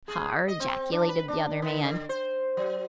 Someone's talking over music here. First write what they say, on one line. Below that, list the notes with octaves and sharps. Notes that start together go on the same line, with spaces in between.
"Har!" ejaculated the other man.
G#4
D#5
C4
D4
B4
D4
D#3
D3
C5
F#3